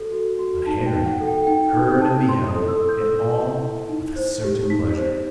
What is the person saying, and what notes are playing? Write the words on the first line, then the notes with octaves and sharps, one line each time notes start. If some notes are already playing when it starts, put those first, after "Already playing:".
But Harry heard and beheld it all with a certain pleasure.
Already playing: F#4 A4
F#4
F#4
D#4 A5
G5
D#4
F#5
A4
G5
D#4 G5
D#4
D#4 A5
E4 C6
D#6
A4
E6
A4
G6
A4
E4
E4
D#4
C5
G4
D#4 B6
C5